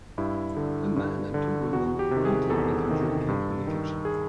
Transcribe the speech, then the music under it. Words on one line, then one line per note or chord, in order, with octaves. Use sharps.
A man and two women eating and drinking in a kitchen.
G2 E4
D3
G2
D3
E2 F#4
G4
C3
D#3
G#4
E2 A4
C3 D#3
G2
D#3
G#4